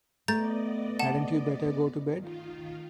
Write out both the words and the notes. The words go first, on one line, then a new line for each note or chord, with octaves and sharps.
Hadn't you better go to bed?
A3 B3 D5 D#5 A#5 G6 A6
F#5 A5 E7
D#3 F4